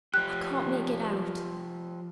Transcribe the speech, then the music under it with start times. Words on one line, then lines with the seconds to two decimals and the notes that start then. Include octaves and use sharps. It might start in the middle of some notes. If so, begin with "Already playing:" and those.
I can't make it out.
0.14 F3 G4 F#6